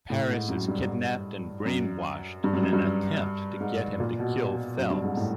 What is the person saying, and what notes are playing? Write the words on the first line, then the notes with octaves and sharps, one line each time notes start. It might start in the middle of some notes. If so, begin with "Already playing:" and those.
Paris is kidnapped and brainwashed in an attempt to get him to kill Phelps.
A2
G#2
F#2
G2
F#2
G2
F#2
F#2
G2
G#2
A#2
B2
F#2
G2
G#2
A2